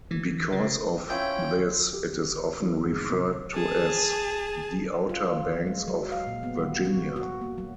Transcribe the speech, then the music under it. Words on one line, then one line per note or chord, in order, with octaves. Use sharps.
Because of this, it is often referred to as "The Outer Banks of Virginia".
E3
C#3
C4 C#4 E4 F4 G5
G4
E3
G#2
C3
G#4 A5
F4
F4
G#3
F#3
F5
A#2
B3
G3
F#4
F#4
A#3
F#3